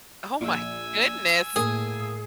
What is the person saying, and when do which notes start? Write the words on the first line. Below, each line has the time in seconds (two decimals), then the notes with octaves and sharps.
Oh my goodness.
0.41 A#1 G#5 E6
1.56 A2 A#3 G#4